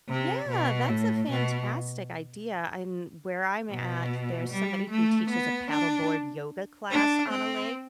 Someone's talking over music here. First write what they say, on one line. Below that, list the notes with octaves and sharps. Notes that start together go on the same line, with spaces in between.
Yeah, that's a fantastic idea, and where I'm at, there's somebody who teaches a paddleboard yoga class on a lake,
C3
B2
A2
B2
B2
G3
A3
B3
D4
D4
C4